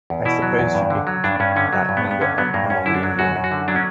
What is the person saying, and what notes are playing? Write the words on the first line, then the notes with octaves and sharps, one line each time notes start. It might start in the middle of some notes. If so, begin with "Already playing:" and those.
I suppose you picked that lingo up among the Indians.
E2
B2 E4
F#3
E2
G2
D3
F#3
G2 D4
G2 C#4
D3 C#4
F#3
G2
B3
G2
B3
D3 C#4
F#3 B3
G2 A#3
F#2 C#4
D3 E4
D4
F#3
F#2 F#4
F#2
F#4
D3
F#3 D4
C#4